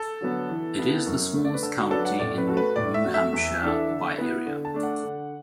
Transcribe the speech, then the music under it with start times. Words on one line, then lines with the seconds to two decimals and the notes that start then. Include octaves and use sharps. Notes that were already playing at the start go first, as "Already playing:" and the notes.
It is the smallest county in New Hampshire by area.
Already playing: A4
0.21 D3 F#3 B3
0.50 E3
0.78 B3 E4
1.06 F#2
1.34 D3 A3
1.45 D5
1.54 B4
1.63 D3 A4
1.77 F#4
1.91 F#3 D4 A4 B4
2.05 F#5
2.19 A2 D5
2.38 B4
2.47 A3 F#4 A4
2.57 B4
2.76 A2 D5
2.94 E5
3.04 A3 F#4
3.14 E5
3.33 E2
3.61 E3 D4 A4
3.89 D3
4.18 B3 E4 B4
4.46 D3
4.65 A5
4.74 A3 D4
4.83 F#5
5.03 D3